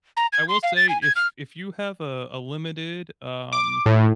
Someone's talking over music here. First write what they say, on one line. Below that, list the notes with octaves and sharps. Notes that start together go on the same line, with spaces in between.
I will say if if you have a a limited, um,
A#5
G#6
C6
F5
A6
G#5
G#6
F6
D6
A2